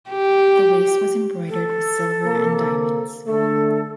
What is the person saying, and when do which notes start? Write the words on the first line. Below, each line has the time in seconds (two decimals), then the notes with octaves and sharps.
The waist was embroidered with silver and diamonds.
0.10 G4
1.49 A4
2.26 C3 A#3
3.27 D3 A3 A4